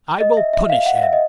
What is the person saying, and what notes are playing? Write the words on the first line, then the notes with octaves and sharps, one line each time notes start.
"I will punish him."
D#5
E5
E5
F5
F#5
F5
E5
D#5